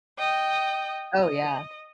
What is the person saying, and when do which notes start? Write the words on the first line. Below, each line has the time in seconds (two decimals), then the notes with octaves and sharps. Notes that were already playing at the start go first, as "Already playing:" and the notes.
Oh, yeah.
0.18 D#5 G5
1.20 D#5